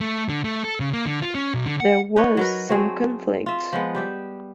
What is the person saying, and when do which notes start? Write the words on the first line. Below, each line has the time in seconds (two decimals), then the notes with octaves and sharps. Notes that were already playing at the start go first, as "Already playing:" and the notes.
There was some conflict.
0.01 A3
0.29 D3
0.44 A3
0.64 A4
0.80 C#3
0.93 A#3
1.06 D3
1.22 F4
1.35 C#4
1.54 B1
1.66 D3
1.80 F#5
2.16 D#4 B4 C#5
2.37 F#3 A#4 B4
2.69 F#3 A3 C4 G#4
3.46 F4 E5
3.73 F3 G#3 B3
3.95 G3 G4 E5